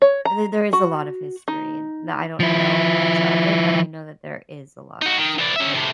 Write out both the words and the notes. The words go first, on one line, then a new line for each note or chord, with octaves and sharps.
th there is a lot of history, and the I don't know much of it, but I know that there is a lot of history, and
C#5
A#5
F#4
D#4
F3 E4
D#4 F#4
D#3
E3 D4
C#4 E5
A2 C3